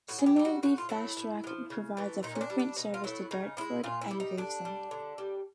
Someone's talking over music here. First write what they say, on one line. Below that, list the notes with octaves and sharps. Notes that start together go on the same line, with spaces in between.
Similarly Fastrack provides a frequent service to Dartford, and Gravesend.
A2 F#4
G#4
G4
E3
G3
F#4
A2 F#4
F4
F#3 A3 E4
A2
G#3
F3
C#3
E3 A3
A#2 D#4
C#4
D4
G3
D4
B2 D#4
F4
F#3 A3 E4
C#3 D#4
F3 G#3 E4
A#2 F4
E4
G3
D#4
D3 D4
G3
D3
G3